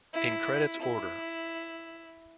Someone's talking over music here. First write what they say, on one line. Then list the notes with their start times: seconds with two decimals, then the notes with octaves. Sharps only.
In credits order.
0.14 E4
0.81 E4